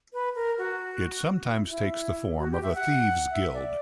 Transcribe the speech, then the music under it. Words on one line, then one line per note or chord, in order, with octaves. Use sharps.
It sometimes takes the form of a thieves' guild.
B4
A#4
F#4
E4
E4
F#4
G4
E5
F#5
E5
D5